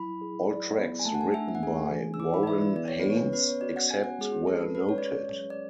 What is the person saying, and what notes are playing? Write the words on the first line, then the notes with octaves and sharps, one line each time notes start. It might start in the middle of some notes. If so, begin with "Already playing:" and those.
All tracks written by Warren Haynes, except where noted.
Already playing: F#3 E4 B5
G#4
D5
B3
G#5
A3 A5
F#5
G#5
D4 E5
E5
F#5
G#4 G#5
E3
E6
E4 D6
B5
D5
B4 E5
D5
B3 D5
C#5
B4
B3
C#5
C#4 B4
C#5
F#4 D5
F#5
C#5 G#5
F#5
G#3 G#4
F#4
C#4 A4
B4
G#4 B4
C#5
D5
B4 C#5
F#3
D5